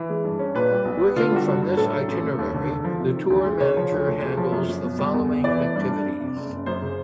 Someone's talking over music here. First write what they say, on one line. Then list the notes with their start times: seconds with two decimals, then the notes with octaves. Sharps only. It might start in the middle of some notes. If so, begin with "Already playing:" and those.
Working from this itinerary, the tour manager handles the following activities.
Already playing: E3
0.10 G#3
0.24 G2
0.39 C#4
0.55 A#2 B4
0.71 G3
0.85 B1
1.02 B3
1.16 D3 F4
1.32 G3 F#4
1.47 G2
1.62 G2
1.77 A2 A4
1.93 F#3
2.08 A1
2.23 A3
2.39 D#2
2.54 D3
2.69 E1
2.84 F3
3.00 C3
3.15 D#3
3.30 D2
3.46 G#3
3.60 C#3 C#5
3.77 F3
3.92 D2
4.07 A3
4.23 C#3
4.37 F3
4.52 F#2
4.69 F#2
4.84 B2
4.99 G3
5.14 E2
5.30 E2
5.44 E3 D5
5.60 A3
5.76 G2
5.91 D4
6.06 F2
6.20 C3
6.36 F#1
6.52 F#1
6.66 F#2 C5
6.82 C#3